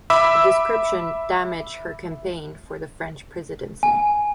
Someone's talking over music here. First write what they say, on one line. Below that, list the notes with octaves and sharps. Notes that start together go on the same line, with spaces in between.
The description damaged her campaign for the French presidency.
E5 B5 D6 E6
G#5